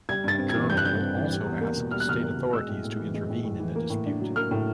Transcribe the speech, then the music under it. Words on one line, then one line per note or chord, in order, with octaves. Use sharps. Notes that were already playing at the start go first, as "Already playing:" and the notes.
Journal also asked state authorities to intervene in the dispute.
G3 G#6
G2 A6
C4
G#6
E3
G3 G6
F#6
G2 G6
C4
E3
G3
E2
A#3
B2
G3 F6
F#6
E2 F6
A#3
B2
G#3 E6
A2
A2
E3
G#3
A2
A2
E3
A#3
A2
D4
F#3
A#3 F6
A2